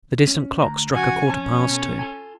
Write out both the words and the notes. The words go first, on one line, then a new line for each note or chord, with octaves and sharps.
The distant clock struck a quarter-past two.
C#4
D2 A#5
C#3 F3 F#4 G#5
F2 C#4 A5
B2 A4
F4 A4 G#5